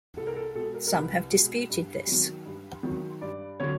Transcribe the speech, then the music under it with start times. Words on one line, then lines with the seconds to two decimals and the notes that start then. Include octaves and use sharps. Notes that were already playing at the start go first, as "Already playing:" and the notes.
Some have disputed this.
0.17 C2 A4
0.27 A#4
0.36 A4
0.55 B2 G#3 A4
0.74 A#4
0.87 A#4
0.93 C2 B4
1.31 B2 G#3
1.70 G2
2.07 D#3 F#3
2.45 G2
2.83 D#3 F#3
3.21 G2 D5
3.60 D3 F#3 C#5